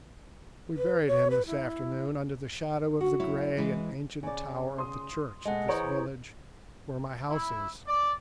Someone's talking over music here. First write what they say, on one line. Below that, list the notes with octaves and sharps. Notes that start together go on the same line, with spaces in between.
'We buried him this afternoon under the shadow of the grey and ancient tower of the church of this village where my house is.
B4
C#5
B4
E4
F#4
F#2 E4 C#5
E3 G#3
C#3 D5
C6 D#6
G#3 A4 D#5 F#5
E3 G#4 C5 C#5 A#5
E4
D5